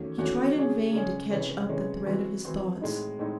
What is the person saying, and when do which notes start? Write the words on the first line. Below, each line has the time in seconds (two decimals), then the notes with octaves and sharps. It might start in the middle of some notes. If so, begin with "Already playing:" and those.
He tried in vain to catch up the thread of his thoughts.
Already playing: E2 D#3 A3 C#4 F#4
0.18 E2 D#3 A3 C#4 F#4
0.56 C#3 G#3 C#4 G#4
0.93 C#3 G#3 C#4 G#4
1.31 C3 E3 G#3 C#4
1.69 C3 E3 G#3 C#4
2.06 E3 C4 F#4
2.44 E3 C4 F#4
2.81 A2 G#3 C4 D#4
3.19 A2 G#3 C4 D#4